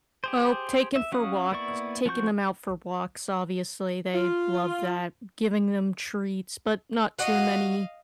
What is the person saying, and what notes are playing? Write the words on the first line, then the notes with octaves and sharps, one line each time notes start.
Well, taking for walks taking 'em out for walks, obviously, they love that, giving them treats, but not too many,
G4 G#4 C5
E5
F#3 C#4 F#4 F5 D#6
A#3 B3 E4 D5 C#6
F3 C4 F#4 C#6 G6
F4
F#4 D#5 F5 F#5